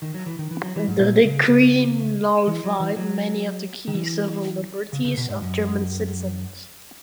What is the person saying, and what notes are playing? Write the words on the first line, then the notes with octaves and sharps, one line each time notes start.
The decree nullified many of the key civil liberties of German citizens.
D#3
F#3
E3
D#3
E3
F#3
E3
G#2
A#2
C#3
C#3
E3
F#3
E3
F#3
D#3
E3
C#3
C#3
B2
G#2
F#2